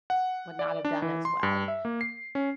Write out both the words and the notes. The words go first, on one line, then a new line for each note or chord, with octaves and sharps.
would not have done as well
F#5
D5
D4
E3
C6
G2
E5
A#3
C7
C#4